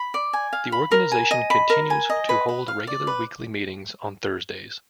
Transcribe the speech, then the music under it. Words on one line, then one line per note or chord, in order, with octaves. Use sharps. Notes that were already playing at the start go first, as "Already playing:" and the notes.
The organization continues to hold regular weekly meetings on Thursdays.
Already playing: B5
D5
G#5
F5
B5
A#4
G#5
D#5
B5
A#4
G#5
D#5
B4
B4
F5
D5
B4